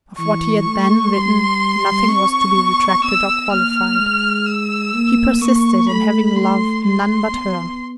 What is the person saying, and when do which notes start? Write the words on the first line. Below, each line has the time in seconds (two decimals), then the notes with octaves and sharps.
Of what he had then written, nothing was to be retracted or qualified. He persisted in having loved none but her.
0.18 E3 C#6
0.67 A3
1.14 G3 C6
2.09 C4 C#6
2.56 B3
3.04 B3 E6
3.51 A#3 F6
3.99 G#3
4.46 E6
4.94 A#3
5.41 A#3 C#6
5.89 A3 B5
6.36 A3 C6
6.84 G#3 C6
7.32 B3